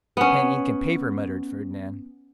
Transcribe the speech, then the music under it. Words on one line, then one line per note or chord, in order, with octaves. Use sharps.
"Pen, ink, and paper," muttered Fernand.
B3 C#4